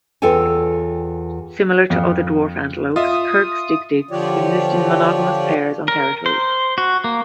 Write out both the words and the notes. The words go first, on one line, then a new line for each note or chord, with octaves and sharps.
Similar to other dwarf antelopes, Kirk's dik-diks exist in monogamous pairs on territories.
E2 F4 A4 C#5 G5 G#5
F2
F4 D#5 E5 D#6
D3 F3 F4 G4 C#5 D5
A#4
C5
F#4
A#3